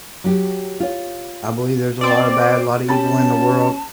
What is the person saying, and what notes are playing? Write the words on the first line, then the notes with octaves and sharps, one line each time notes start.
I believe there's a lotta bad, a lotta evil in the world
F#3 G4
F4 C#5
C4 D5
C#4 G4 A5 B5 A6